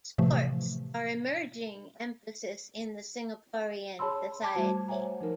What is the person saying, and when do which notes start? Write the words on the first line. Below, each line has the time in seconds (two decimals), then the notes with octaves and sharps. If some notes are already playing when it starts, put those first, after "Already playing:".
Sports are an emerging emphasis in the Singaporean society.
0.18 A2 C3 E3 F3 A3
3.99 G#4 C#5 A5 B5 C6 E6
4.42 A5 D6 G#6
4.55 G3 A3 F#4 C5 A5
4.88 C5 C#5 E5 F#5 G#5 A#5
5.21 F3 D#4 A#4